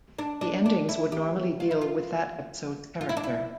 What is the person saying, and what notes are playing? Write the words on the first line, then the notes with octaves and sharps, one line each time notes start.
The endings would normally deal with that episode's character.
D4
D4
D4
E4
G4
F4
E4
F4
F4
E4
D4
E4